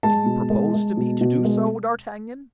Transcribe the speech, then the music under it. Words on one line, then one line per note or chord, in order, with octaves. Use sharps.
"Do you propose to me to do so, D'Artagnan?"
G#3 A5
B2
G#3
G#3
B2
B2
G#3